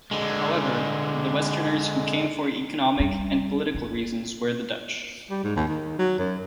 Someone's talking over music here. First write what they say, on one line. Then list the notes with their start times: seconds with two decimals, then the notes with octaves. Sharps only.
However, the westerners who came for economic and political reasons were the Dutch.
0.11 D3 G#3
3.00 G3
3.75 F2
5.30 G3
5.44 G#2
5.56 D#2
5.68 D#3
5.99 F#3
6.19 F#2